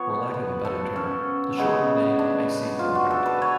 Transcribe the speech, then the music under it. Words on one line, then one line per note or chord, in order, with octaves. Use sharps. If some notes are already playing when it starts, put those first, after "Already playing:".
For lack of a better term, the shortened name may seem more practical.
Already playing: F3 B3 C#5
B4
A4
C#4
C#3 G#3 B3
D4
F4
F#4
A4
B4
C#5